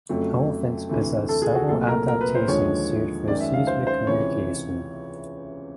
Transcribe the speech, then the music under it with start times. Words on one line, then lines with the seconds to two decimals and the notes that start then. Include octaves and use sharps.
Elephants possess several adaptations suited for seismic communication.
0.09 F2 C#3 F#3 A3
0.89 D2 C3 E3 A3
1.29 A4
1.42 G#4
1.55 F#4
1.68 C2 A#2 F#3 A3 A4
1.88 A#4
2.08 A#4
2.21 B4
2.35 C5
2.47 D#2 D3 F3 G#3 C#5
3.28 F#2 D#3 G#3 D5
3.40 E5
3.54 F5
3.67 C5
3.87 C5
4.07 C#2 C3 E3 C#5